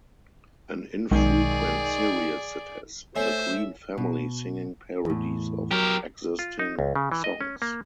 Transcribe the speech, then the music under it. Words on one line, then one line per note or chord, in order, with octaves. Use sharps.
An infrequent series that has the Green family singing parodies of existing songs.
B1 D#3 G#3 G#4 D5
A3 C5 C#5 E5 G#5
B2
E2 A2
F#3 G4 A#4
F4
D#4
C#2
C#3
E3
D#5
C#4
A#3